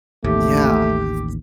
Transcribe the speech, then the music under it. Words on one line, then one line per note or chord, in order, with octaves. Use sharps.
Yeah, it's
A1 D#2 A3 G4